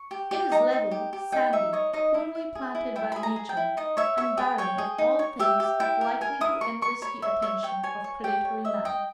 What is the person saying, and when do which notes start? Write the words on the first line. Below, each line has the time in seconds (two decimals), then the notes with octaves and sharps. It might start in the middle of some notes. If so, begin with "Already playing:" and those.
It is level, sandy, poorly planted by nature, and barren of all things likely to enlist the attention of predatory man.
Already playing: C#6
0.11 G4
0.31 G4
0.52 D#4 A#5
0.72 D#4
0.91 G4
1.13 G4
1.32 D#4 G5
1.53 D#4 E5
1.73 C#5 D#5
1.93 D#4 D#5
2.14 E4
2.35 E4
2.55 G#4
2.75 E4
2.96 E4 G5
3.12 G#4 B5
3.23 A#5
3.36 G#4
3.49 G5
3.57 E4
3.77 D#4 D#5
3.97 C#5 E5
4.17 C#5 E5
4.37 G#4 G5
4.58 C#5 G5
4.78 G#4
4.98 D#4
5.19 C#5
5.39 G4 E5
5.60 G4
5.80 E4 G5
6.01 A#4
6.21 A#4 G#5
6.41 E4 D#6
6.61 A#4 C#6
6.82 A#4 C#6
7.02 C#5 B5
7.22 C#5 E5
7.42 C#5 E5
7.63 C#5 G5
7.83 C#5 G#5
8.04 C#5
8.24 G4 G5
8.45 C#5
8.64 D#5 E5
8.85 D#5 G5